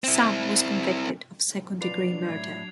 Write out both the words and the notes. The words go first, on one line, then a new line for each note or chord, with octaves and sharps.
Sam was convicted of second-degree murder.
C4 E4
F3 F#3 D4 F4 B4 D5 C7 F7
A2 E4 G#6